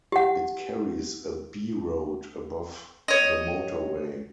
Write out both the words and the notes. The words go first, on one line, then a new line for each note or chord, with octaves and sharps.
It carries a B road above the motorway.
G4 F#5
C#5 D#5